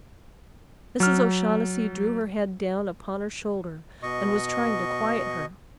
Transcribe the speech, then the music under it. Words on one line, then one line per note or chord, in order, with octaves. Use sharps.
Mrs. O'Shaughnessy drew her head down upon her shoulder and was trying to quiet her.
F#3 F6
B2 D#5 C#6